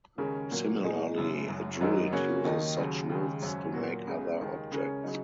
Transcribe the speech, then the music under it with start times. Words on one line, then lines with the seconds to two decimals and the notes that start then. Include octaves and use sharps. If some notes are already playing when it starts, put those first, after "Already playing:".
Similarly, a druid uses such woods to make other objects.
0.18 D#2 C#3 G#3 C#4 A#4
0.51 A#2 F#3 A#3
0.83 A#2 G#3 D#4 G#4
1.16 F#1 F#2 C#3
1.48 F#1 F#2 F#3
1.80 G#1 F#2 F#3 D#4 A#4
2.12 C#3 A#3 C#4 F#4 C#5
2.45 D#2 D#3 A#3 D#4
2.77 D#2 C#3 F#3
3.10 D#2 C#3 G#3
3.42 G#1 F#2 F#3 C#4
3.74 A#2 F#3 A#3 F#4
4.07 C#2 C#3 G#3
4.40 D#2 D#3 G#3
4.72 C#3 G#3 C#4 A#4 C#5
5.04 C#3 F#3 D#4